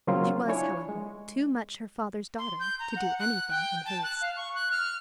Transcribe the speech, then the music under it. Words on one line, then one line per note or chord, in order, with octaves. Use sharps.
She was, however, too much her father's daughter to do anything in haste.
C#3 F#3 A#3 C4 F4
D4 E4 F4 C#5 G#5
G#3
C6
G6
A#5
F#5
F#6
G5
A5
F#6
F5
C#6
F#6
F6